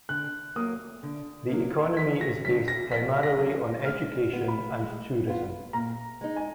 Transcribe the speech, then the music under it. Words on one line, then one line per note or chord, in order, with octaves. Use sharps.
The economy is based primarily on education and tourism.
D3 F#6
F#3 A#3 D#6
D3
F#3 A#3
F2 B6
A#6
D3 F#3 B6
A#6
F2 B6
A#6
D3 F#3
G#3 F6
B3 F4
B5
G#3
B3 F4
A#2 A#5
G#3 D#4
G#5